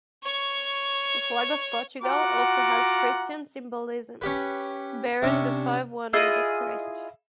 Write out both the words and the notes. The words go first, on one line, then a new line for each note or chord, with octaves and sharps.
The Flag of Portugal also has Christian symbolism, bearing the five wounds of Christ.
C#5 C#6
F4 F#4 F#5 A#5 D6
C#4 G4 B4
C3 C#4 D4
E4 F4 G#4 D#5